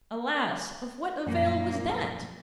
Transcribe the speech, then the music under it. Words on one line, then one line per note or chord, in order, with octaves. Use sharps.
Alas! of what avail was that?
F#2 A#2 F3 A#3